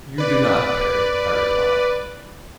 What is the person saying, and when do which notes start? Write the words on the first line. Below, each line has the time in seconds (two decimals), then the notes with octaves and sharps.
"You do not, Perry," I replied.
0.18 B4 D5